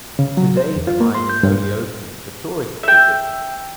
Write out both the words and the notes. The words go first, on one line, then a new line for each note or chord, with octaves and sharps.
Today the mine is only open for tourist visits.
C#3
F#3
C5
E2
F4
A#3
C6
G6
G2
E5 G5